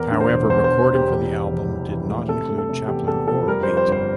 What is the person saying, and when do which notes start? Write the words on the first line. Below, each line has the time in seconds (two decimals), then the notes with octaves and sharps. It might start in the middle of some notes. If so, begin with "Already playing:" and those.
However, recording for the album did not include Chaplin or Waite.
Already playing: E2 A#4
0.11 D3
0.21 C5
0.29 E1
0.49 E2 C5
0.64 E1 C5
0.90 E1
0.95 G4
1.09 E2
1.29 E3
1.48 F1
1.69 E3
1.89 E3
2.09 A3
2.28 C3 A4
2.49 A3
2.58 A4
2.69 C3
2.88 E2 G4
3.08 E2 A4
3.27 F3 A4
3.47 G3 A#4
3.63 F2 C5
3.77 C5
3.88 G1 C5